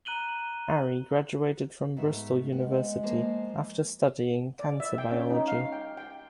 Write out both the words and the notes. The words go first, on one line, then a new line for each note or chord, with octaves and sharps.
Aryee graduated from Bristol University after studying cancer biology.
A#5 F#6 D#7 F#7 G7
G#2 A3 B3 E5
G#3 B3
F3 A#3 C5
D5
E5
G5
C#4
D#4
F5
G5
G5